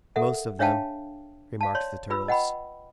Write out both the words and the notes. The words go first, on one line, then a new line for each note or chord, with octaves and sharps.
"Most of them," remarked the Turtles.
A4 A#4 E5 F#5
D4 C#5 E5 F5 G5 A5
F5 A5
C#5 D5 C6
F4 B4 B5 E6
D#5 F#5 G5 B5